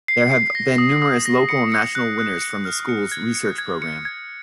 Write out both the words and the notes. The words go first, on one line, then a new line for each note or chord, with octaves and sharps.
There have been numerous local and national winners from the school's research program.
C7
C7
A#6
D#6
D#6
A#6
C#7
C#7
F#6
F#6
C#7
F6
C#7
G#6
C#7
G#6
C#7
G#6